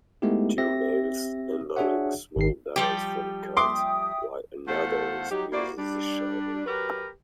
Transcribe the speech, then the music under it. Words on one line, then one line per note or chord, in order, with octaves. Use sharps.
Two males unloading small barrels from a cart, while another uses a shovel.
G#3 A3 B3 D#4 E4 G4
C4 G4 E5 A#6
D4 F#4 G#4 C#5 E5 F#5
G#1 D#3 C7
F3 G3 G4
E5 G5 C6 D6 D#6
E2 A3 A4 C5 F5 F#5
F#3 G3 D#4 G4
A#3 E4 F#4 C5 D5
G3 D4
F#3 F#4 G4 A#4 B4